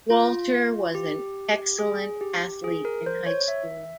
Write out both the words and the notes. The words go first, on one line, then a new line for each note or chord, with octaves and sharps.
Walter was an excellent athlete in high school.
F4
G4
G#4
G4
G#4
A#4
C5
C#5
E5